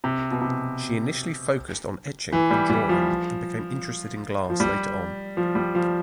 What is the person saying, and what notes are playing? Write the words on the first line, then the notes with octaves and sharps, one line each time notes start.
She initially focused on etching and drawing and became interested in glass later on.
C3
B2
C3
E3
G3
G3
F3
F3
G3
F3
G3
F3